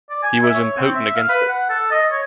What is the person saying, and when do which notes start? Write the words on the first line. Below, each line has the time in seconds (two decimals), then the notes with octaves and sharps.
He was impotent against it.
0.10 D5
0.23 G#5
0.43 E5
0.55 C#5
0.77 C4
0.95 E5
1.16 F5
1.29 B4
1.48 F#5
1.70 A4
1.91 D#5
2.12 C#5